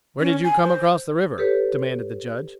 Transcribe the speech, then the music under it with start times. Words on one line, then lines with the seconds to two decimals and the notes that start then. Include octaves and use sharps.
"Where did you come across the river?" demanded the Judge.
0.20 C#4
0.44 G#5
0.62 C5
1.38 G4 A4 B4 C#5